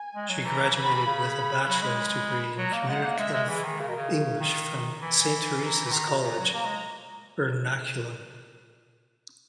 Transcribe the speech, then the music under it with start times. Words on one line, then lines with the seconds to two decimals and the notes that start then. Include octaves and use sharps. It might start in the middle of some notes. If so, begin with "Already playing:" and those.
She graduated with a bachelor's degree in Communicative English from Saint Teresa's College, Ernakulam.
Already playing: G#5
0.15 G#3
0.30 F#3
0.45 E3 A#5
0.75 E3 B5
0.86 D#3
0.96 E3
1.06 C#3
1.66 F#3 B5
1.82 G#3
1.97 B5
2.27 B5
2.57 F#3 A#5
2.73 A#3
2.88 G#3 F#5
3.04 A#3
3.18 G#3 E5
3.34 G#3
3.49 E3 G#4
3.65 D#3
3.80 C#3 A#4
3.88 B2
3.96 C#3
4.41 D#3
5.01 E3 G#5
5.62 A#5
5.85 E3
5.92 D#3 A#5
6.08 B2
6.23 A#2 A#5
6.38 F#3
6.53 A#3 A#5
6.66 G#3